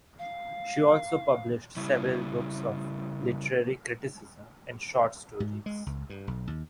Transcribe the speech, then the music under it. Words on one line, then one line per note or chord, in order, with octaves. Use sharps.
She also published several books of literary criticism and short stories.
F5
C#3 G3 E4
G#2
G#3
C#2
G2
B1
D#2